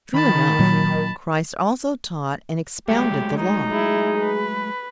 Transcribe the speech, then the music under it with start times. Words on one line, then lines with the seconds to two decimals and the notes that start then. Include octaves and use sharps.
True enough, Christ also taught and expounded the Law.
0.13 D#3 A5 B5
0.59 A#2 F#3
2.88 F#3 G#3 A3 G4
3.37 D#4
3.71 E4 G#4
4.19 B4